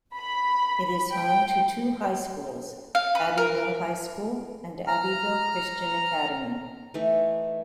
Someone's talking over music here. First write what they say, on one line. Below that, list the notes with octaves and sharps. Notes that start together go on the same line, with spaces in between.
It is home to two high schools: Abbeville High School and Abbeville Christian Academy.
B5
G5
F5
B4
A#4
A#5 F6
E3 A3 D#4 E5